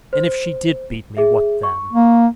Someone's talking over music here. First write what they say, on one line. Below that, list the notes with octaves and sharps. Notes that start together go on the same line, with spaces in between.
And if she did beat me, what then?
C5
G#4 E5
C#6
A#3